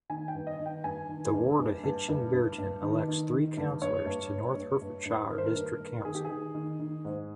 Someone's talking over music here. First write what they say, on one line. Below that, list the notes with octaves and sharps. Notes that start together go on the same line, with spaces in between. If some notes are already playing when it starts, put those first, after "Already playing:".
The ward of Hitchin Bearton elects three councillors to North Hertfordshire District Council.
D#3 G#5
G5
G2
D#5
D#3
G5
G2 G#5
D#3
G2
G2
G2
G2
G2
G2
D#3
D#3
D#3
G2
G2 C#5
G2
G2
G2
G2
G2
D#3 A#4
C5
A#4
G2
G2
D#3 G#4
G4
G#4
D#3
D#3
D#3
G#2